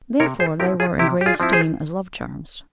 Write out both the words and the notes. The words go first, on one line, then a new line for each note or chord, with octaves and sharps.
Therefore they were in great esteem as love charms.
C3 A#4 C#5
G#4 C5
F3 C4 E4 G4 A#4
F4 G#4
C3 E4 G4
G4
F4 G#4
F3 C4 E4
G#4 C5